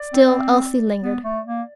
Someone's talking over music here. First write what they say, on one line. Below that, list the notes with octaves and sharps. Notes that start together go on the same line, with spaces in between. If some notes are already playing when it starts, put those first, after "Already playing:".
Still Elsie lingered.
Already playing: D5
C4
B3
A3
A#3